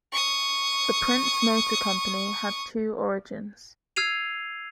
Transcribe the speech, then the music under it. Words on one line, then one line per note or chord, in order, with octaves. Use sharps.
The Prince Motor Company had two origins.
C#6 D#6
E6 F6 G#6 C7 D#7 F7